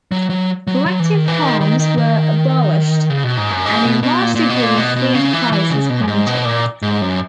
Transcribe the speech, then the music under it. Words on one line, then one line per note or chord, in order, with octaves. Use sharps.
Collective farms were abolished, and a large degree of free enterprise was permitted.
F#3
F#3
F#3
F#3
E3
D#3
E3
D#3
D#3
D#3
D#3
C#3
B2
G#2
F#2
G#2
B2
B2
A#2
A#2
B2
A#2
B2
B2
C#3
E3
E3
C#3
B2
F#2
G#2
B2
A#2
G#2
F#2